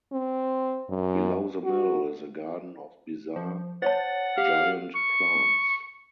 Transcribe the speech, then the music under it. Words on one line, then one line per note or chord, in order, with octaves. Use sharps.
Below the mill is a garden of bizarre, giant plants.
C4
F#2
F#4
F3
C5 C#5 F#5 A5 A6
G4 F5
C#6